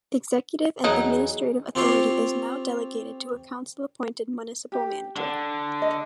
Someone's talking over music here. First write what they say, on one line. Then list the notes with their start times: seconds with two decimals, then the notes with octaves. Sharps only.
Executive and administrative authority is now delegated to a council appointed Municipal Manager.
0.84 E2 F#3 D#4 G#4
1.75 C4 F4 G4 A4 C#5 C6
4.72 G4
5.17 D3 F#5
5.82 D#5